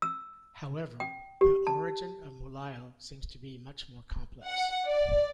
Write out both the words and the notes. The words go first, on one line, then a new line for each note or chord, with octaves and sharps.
However, the origin of Mulao seems to be much more complex.
E6
G5
G4
A5
F#5
D5